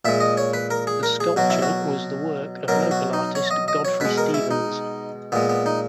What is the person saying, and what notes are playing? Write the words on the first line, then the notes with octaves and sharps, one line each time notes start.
The sculpture was the work of local artist Godfrey Stephens.
A#2 G#3 E5
D#5
C#5
B4
A#4
G#4
A#4
G#4
B2 F#3 F#4
E4
F#4
B2 F#3 A#4
F#4
D#4
C#5
D#5
D#5
C#5
B2 G#3 B4
A#4
E4
D#4
A#2 G#3 B3
B3
D#4